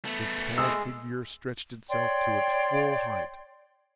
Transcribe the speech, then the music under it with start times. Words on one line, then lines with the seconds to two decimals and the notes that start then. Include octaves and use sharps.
His tall figure stretched itself to its full height.
0.05 A3 B3
0.58 G#3 G#4 E6
1.89 C#5 D5 G5 C6